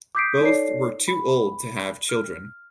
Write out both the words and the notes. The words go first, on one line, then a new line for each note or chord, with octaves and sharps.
Both were too old to have children.
D6 D#6 G6 B6 C7 D7
D#4 A4 C#5 D5 C7
B5
F6